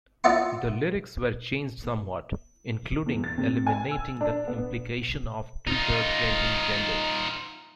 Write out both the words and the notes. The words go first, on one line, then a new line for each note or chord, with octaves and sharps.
The lyrics were changed somewhat, including eliminating the implication of Tweeter changing genders.
D#4 F4 D5 E5 F#5 C6
E2
A6
C3
G#5
E6
D4
B3
D#4 F4